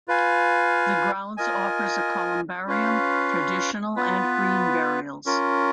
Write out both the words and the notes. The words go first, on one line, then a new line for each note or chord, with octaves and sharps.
The grounds offers a columbarium, traditional, and green burials.
F4 B4 F5 G#5
F4 A#4 D#5 G#5
C#4 F4 B4 F5
B3 F4 B4
C#4 F4 A#4